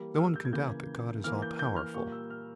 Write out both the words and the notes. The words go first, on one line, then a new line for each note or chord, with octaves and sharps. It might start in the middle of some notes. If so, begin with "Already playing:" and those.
'No one can doubt that God is all-powerful.'
Already playing: E3 G3 A#3
E6
F6
E6
G6
G#6
C#3 E3 A#3 G6
E3 A#3 F6
G6
G6
F6
A#2 G3 A#3 C#6
E6
F6